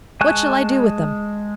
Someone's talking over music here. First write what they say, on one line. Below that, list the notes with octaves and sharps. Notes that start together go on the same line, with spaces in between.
What shall I do with them?'
G#3 G#5 A5 C#6 F#6